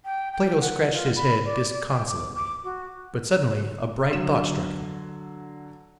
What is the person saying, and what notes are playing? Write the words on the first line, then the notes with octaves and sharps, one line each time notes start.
Plato scratched his head disconsolately, but suddenly a bright thought struck him.
G5
G5
F#5
F4
B5
D5
G5
D6
D6
F#4
D3 F#3 E7